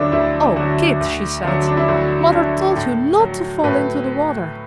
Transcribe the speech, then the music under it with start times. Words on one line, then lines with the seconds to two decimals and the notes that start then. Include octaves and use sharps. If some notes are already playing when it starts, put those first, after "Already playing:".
"O Kit," she said, "Mother told you not to fall into the water!"
Already playing: D2 D3 F#3 D4 E4 F#4
0.12 D2 E4
0.56 D3 F#3 F#4
1.00 D2
1.44 D3 F#3
1.67 D4
1.77 E4
1.88 D2 F#4
2.32 D3 F#3
2.76 A2
3.20 F#3
3.64 A2 B4